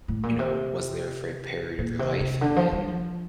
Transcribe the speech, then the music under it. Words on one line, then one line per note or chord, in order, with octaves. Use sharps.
you know, was there for a period of your life and then
A2
A#2
C3
A#2
C3
C3
D3
F3
G3
F3